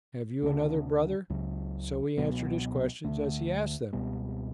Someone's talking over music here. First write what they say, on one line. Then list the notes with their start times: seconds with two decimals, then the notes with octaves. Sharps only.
Have you another brother?' So we answered his questions as he asked them.
0.42 D2 C#3 G3 D4
1.30 C#2 C#3 F#3
2.17 C#2 B2 F#3 B3
3.04 D2 D3 A3
3.93 C#2 B2 G3 B3